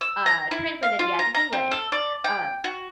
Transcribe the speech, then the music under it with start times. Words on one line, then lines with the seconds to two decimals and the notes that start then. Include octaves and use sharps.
uh, translated yet in English," um,
0.01 E6
0.26 A#5
0.51 E4
0.83 F5
0.99 F4
1.19 A#5
1.35 A#5
1.53 C4
1.71 A4
1.92 D5
2.24 G5
2.64 F#4